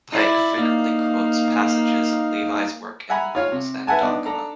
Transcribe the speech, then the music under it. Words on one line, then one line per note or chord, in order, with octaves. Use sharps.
Pike frequently quotes passages of Levi's work in "Morals and Dogma".
E4 D5
A#3 D#4 F5
E5 F#5 G#5 A#5 B5
F4 C#5 F5
C3
B4 E5 F#5 G#5 A5
B3 D4 D#4
D4 A4 A#5